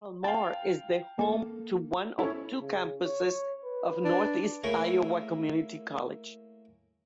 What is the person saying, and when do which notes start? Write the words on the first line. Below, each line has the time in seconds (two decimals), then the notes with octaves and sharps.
Calmar is the home to one of two campuses of Northeast Iowa Community College.
0.24 F5 G5 A5
1.19 A#3 A4
2.19 C#4 E4 A4
2.61 C#3
3.04 C#5
3.64 B4
4.04 D4
4.64 A3 A#3 E4 G#4 A#4 C#5